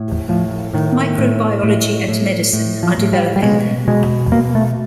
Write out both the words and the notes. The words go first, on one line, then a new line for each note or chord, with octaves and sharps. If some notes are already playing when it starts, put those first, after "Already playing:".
Microbiology and medicine are developing.
Already playing: A2
A2 F3
A2 D#3
A2
A2
A2
A2
F3
A2
G3
G3
B2 G#3
B2 G#3
B2 A#3
A3